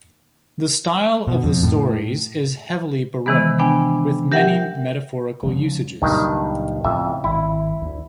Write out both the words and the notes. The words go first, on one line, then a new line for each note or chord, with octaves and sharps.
The style of the stories is heavily Baroque, with many metaphorical usages.
B2
F2
A2
C3 D#3 E3 G#3 B3
B3 D4 G5 G#5
G4 A#4 E5 F#5 G5
C#3 F3 G#3
C#2 G2 A#2 D#3 F#3
F2 A2 C#3 A3 E5
G#1 E4
D2